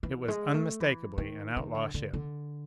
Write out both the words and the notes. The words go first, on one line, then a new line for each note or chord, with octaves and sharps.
It was unmistakably an outlaw ship.
E3
G#3
A3
E3
D#3
D#3
D3
D3
D3